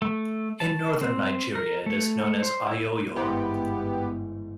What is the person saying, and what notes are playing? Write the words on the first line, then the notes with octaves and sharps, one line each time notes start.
In Northern Nigeria it is known as "Ayoyo".
A3
A5
C4
A#4
A3
C5
E4
G1 G#2 E3 B3 G4 C5